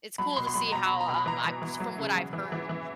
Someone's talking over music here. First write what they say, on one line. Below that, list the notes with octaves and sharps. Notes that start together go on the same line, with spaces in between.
It's cool to see how, um, I from what I've heard,
F#3 B5
B2 C6
C6
F#3 B5
B2 A#5
B2 B5
A#5
B2
B5
E3 A#5
E3
E3
F#3
C#3
F#3
E3
E3
E3